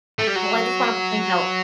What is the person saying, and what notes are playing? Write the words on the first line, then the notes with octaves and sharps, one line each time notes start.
well, I just wanna point out
A3
G3
F#3